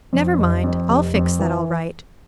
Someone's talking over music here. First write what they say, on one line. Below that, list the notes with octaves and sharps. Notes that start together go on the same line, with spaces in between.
Never mind, I'll fix that all right.
F2
F1
F2
F1
F2
E3